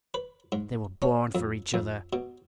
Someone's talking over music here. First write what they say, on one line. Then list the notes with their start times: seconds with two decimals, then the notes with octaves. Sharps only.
They were born for each other.
0.14 B4
0.52 G#2
1.02 C#4
1.35 F2
1.74 F2
2.13 B2